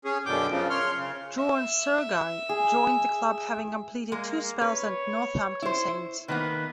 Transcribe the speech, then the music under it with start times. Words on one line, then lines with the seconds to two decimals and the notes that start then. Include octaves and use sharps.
John Surguy joined the club having completed two spells at Northampton Saints.
0.05 C#4 G#4
0.26 F#2 B2 D3 G5 D6
0.50 F#2 C#3 F3
0.70 C#5 C6 F6
0.97 C#3
1.38 E5
2.49 G#4
4.12 G#3 A#3
4.61 B4 C#5
5.62 E4 C5
6.28 D#3 A#3 B3 B4